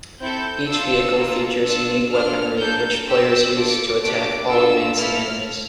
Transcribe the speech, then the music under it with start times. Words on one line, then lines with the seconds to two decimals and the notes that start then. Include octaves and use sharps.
Each vehicle features unique weaponry, which players use to attack all advancing enemies.
0.20 C4 E4 A4 G6
0.68 D4 F4 A4 E6
1.15 A#3 F4 A4
1.63 D4 F4 A4 E6
2.11 D4 F4 A4 F6
2.58 A#3 D4 A4 G6
3.06 C4 G4 E6
3.54 D4 F4 A4 D6
4.02 A3 D4 G4 D6
4.50 D4 F4 A4 E6
4.98 A#3 E4 A4 F6